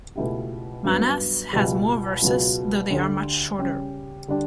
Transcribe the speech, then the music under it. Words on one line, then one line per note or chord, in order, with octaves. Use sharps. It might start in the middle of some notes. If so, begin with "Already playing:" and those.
Manas has more verses, though they are much shorter.
C#2 B2 A3 E4 G4
G2 F#3 B3
C#2 B2 G3
C#2 B2 F#3 B3 F#4
D2 D3 A3 D4 G4
C#3 G3 C#4 G4
D3 G3 D4 G4